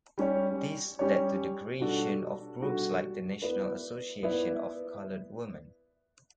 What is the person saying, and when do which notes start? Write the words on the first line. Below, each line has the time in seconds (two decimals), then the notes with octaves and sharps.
This led to the creation of groups like the National Association of Colored Women.
0.18 G3 C#4 G4 C#5
0.99 G3 C#4 G4 C#5
1.80 B2 G3 D4 F#4 A4
2.61 B2 G3 D4 F#4 A4
3.41 B3 E4 B4 D5
4.23 B3 E4 B4 D5